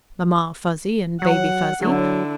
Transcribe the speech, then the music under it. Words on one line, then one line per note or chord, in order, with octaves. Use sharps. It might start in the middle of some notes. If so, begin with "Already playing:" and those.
Mamma Fuzzy, and Baby Fuzzy.
F#3 F#5
D3 F#3 E4